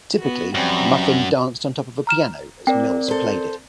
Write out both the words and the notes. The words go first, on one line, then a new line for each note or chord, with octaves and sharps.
Typically, Muffin danced on top of a piano as Mills played it.
B3 F#4
F#2 F3 G3 C4
A#5 F6 E7
C4 A#4 D5 G5
A4 C5